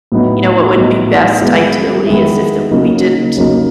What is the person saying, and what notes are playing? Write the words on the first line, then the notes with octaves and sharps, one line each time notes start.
you know, what would be best ideally is if that we didn't,
A2 F#3 B3 D#4
A2 F#3 B3 D#4
D#3 G#3 B3 E4
D#3 G#3 B3 E4
C#3 F#3 A#3 D#4
C#3 F#3 A#3 D#4